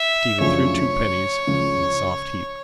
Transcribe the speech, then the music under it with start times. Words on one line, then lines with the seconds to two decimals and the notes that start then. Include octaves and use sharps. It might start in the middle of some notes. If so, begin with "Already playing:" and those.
Stephen threw two pennies on the soft heap.
Already playing: E5
0.40 F#2 C#3 F3 A3 D4 C#5
1.47 C#2 C#3 F3